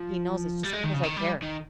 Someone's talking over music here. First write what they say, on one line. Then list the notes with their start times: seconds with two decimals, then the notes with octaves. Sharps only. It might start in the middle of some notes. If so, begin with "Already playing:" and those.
he knows it's just because I care.
Already playing: F3
0.63 G3
0.73 G#3
0.84 D#3
0.93 C#3
1.03 D#3
1.17 G3
1.42 D#3